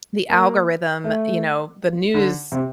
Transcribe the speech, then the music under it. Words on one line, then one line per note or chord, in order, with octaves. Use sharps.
the algorithm, you know, the news
A#3
A3
D3
C3